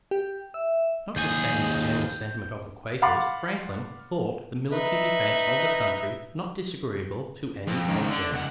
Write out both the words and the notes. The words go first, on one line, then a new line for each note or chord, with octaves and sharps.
Notwithstanding the general sentiments of the Quakers, Franklin thought the military defence of the country not disagreeable to any of them.
G4
E5
D#2 G#4 G6
F5 F#5 B5 C6 D6 A6
D#4 B4 E5
F2
C#2 D#3
D3
C#2 F#5